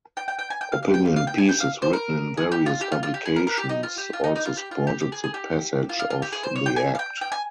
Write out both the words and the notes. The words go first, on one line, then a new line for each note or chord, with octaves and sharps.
Opinion pieces written in various publications also supported the passage of the Act.
G5
G5
G5
G#5
G5
F5
F5
G5
F5
F5
G5
G#5
G5
F5
C5
A#4
G#4
G4
F4
G4
F4
F4
G4
G#4
A#4
A#4
G4
D#4
F4
G4
F4
D#4
D#4
F4
G4
F4
G4
G4
G#4
G#4
G4
F4
F4
F4
G4
G#4
C5
C#5
G5
G#5
F5
G5
G5
G#5